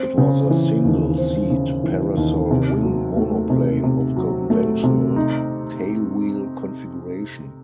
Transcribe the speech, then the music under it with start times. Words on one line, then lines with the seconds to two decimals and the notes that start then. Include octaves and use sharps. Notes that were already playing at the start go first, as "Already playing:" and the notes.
It was a single-seat parasol wing monoplane of conventional tailwheel configuration.
Already playing: C4
0.18 C#3
0.50 E3
0.85 D#2
1.18 C4
1.50 C#3
1.84 E3
2.17 D#2
2.51 C3
2.83 F#3
3.17 A3
3.50 C3
3.83 C3
4.16 F#3
4.50 A3
4.83 C3
5.16 D#4